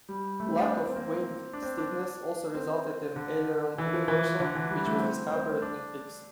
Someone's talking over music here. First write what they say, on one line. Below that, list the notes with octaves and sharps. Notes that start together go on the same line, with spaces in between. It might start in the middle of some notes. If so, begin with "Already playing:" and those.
Lack of wing stiffness also resulted in aileron reversal which was discovered and fixed.
G3
A3
C4
D4
C4
C4
A#3
C4
C4
D4
C4
D4
C4
D3
E3
F3
E3
D3
E3
G3
A3
C4
C4
C4
D4